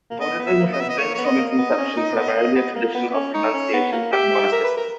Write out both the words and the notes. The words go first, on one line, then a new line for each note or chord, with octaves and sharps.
Buddhism has been from its inception primarily a tradition of renunciation and monasticism.
A#3
B3 D#5
B3
E5
A#3
D#5
B3 E5
D#5
A#3 C#5
B3 C#5
D#5
A#3
D#5
B3
D#4
C#4
D#4
B3
A#3
B3
A#3
B3
B3
C#4
D#4 C#5
C#4
B3
A#3
G4 E5
A#4
B4
A#4